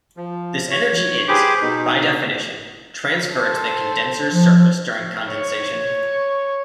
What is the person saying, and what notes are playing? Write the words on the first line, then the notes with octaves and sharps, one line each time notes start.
This energy is, by definition, transferred to the condenser's surface during condensation.
F3
C#5
G4 G#4 B4 C5 D6
B2 D#4
A4 C5
F3
C#5